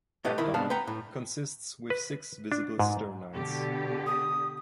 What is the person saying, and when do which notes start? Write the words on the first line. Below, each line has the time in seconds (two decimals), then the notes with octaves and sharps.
Abdomen consists with six visible sternites.
0.25 A3 G4 B4 D#5
0.38 D2 D#3 E4 A#4 B5
0.54 C2 B3 D4 F5 A5
0.70 B4 F#5 G5 A#5
0.87 A2
1.90 B4
2.52 D4
2.79 G#2
3.33 B2 D3 G4
4.06 D#6